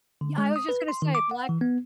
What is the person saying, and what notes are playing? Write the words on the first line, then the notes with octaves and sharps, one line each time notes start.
Yeah, I was just gonna say black
D3
G#3
D#6
B4
C6
D#3
D6
F#5
E3
B3